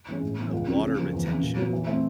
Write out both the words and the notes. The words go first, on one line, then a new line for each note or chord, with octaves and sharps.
the water retention,
E3 G#3 C#4
A2
E3 G#3 B3
C#2
C#3 F3
C#3
F3 A#3
E2
C#3 E3
A#2
F#3 B3
E3
A3 C4 E4